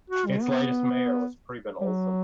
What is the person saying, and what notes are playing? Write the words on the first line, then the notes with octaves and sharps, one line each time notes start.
Its latest mayor was Preben Olesen.
F#4
G3
B3
G3
F#3